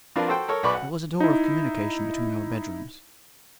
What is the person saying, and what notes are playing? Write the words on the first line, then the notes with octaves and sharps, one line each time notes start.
There was a door of communication between our bedrooms.
F3 C4 D4 F4 A#4 B4
F#4 A4 C5 G5
A4 A#4 C#5
B1 B3 D5 B5 C#6 D6
F#5
D#4 E4